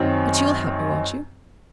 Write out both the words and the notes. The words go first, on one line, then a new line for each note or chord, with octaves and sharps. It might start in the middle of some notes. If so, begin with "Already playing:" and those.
But you'll help me, won't you?
Already playing: F#2 D#3 F#3 C4